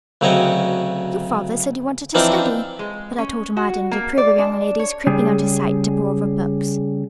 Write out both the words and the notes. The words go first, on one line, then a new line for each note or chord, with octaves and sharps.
Your father said you wanted to study, but I told him I didn't approve of young ladies creeping out of sight to pore over books.
D2 C#3 F#3 C4 C#5 D#5
E3 F3 C4 D4 D#4 F4
G#3
C#4
F#4
A#3
D5
D4
C#5
C#3 G3 G#4